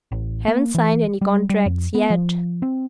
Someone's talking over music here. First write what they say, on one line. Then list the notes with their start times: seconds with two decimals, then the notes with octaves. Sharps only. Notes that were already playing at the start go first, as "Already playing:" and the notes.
'Haven't signed any contracts yet.
0.12 A1
0.48 A#3
0.75 E3
1.21 G3
1.50 G3
1.66 F2
1.95 B3
2.10 F3
2.62 C4